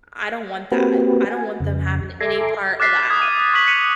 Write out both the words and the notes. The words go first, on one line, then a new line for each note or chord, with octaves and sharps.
I don't want that; I don't want them having any part of that.
A#3 C4 F#4 G4 B4
G#5
F2 C#3
A4 E5 G#5 A#5 C6 D6
D6 F6 F#6 A6 B6 C7
D#6 F#6 G#6 B6
D#7
C#6 F#6 A6 B6 F#7
B6 C#7 D#7 F7